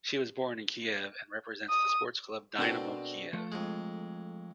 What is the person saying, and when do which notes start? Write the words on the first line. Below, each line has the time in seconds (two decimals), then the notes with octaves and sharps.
She was born in Kiev, and represents the sports club Dynamo Kiev.
1.70 D#6
2.59 B2 C4 D4 A4 A#4 C5
3.33 F3 A3
3.52 F2 G#3